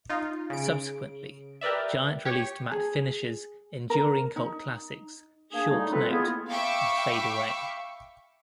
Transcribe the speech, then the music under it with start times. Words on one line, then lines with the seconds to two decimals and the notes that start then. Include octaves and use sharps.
Subsequently, Giant released Matt Finish's enduring cult classics "Short Note" and "Fade Away".
0.09 D#4 F4
0.50 C#3 D7
1.61 G4 A#4 B4 D5 E5
2.25 G4 C#5
2.72 G#4
3.90 A#4
4.36 D#4
5.53 A#3 D4 G#4
5.69 A2 G3 A3 D#4
5.91 F3 C4 F4 A4 B4
6.09 G#3 A#3 B3 E4 F4 G#4
6.49 E5 F5 G5 B5 C#6 D6